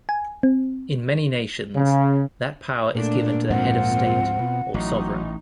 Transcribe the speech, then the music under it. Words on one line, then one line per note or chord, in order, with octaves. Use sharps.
In many nations, that power is given to the head of state or sovereign.
G#5
C4
C#3
A#2 A3 D4
D2 G#2 F3 C4 F4 F#5
B2
A1 F#3 D#4